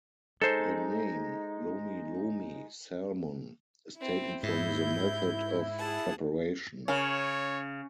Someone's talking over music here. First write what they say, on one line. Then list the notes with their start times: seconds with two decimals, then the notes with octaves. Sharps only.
The name "lomi-lomi salmon" is taken from the method of preparation.
0.42 G#3 D#4 A4 C5
3.97 C4 E4
4.43 G#2 E4 G6
5.80 G#4 F#5 A5
6.88 C#3 C#4 A#4 C#5 F5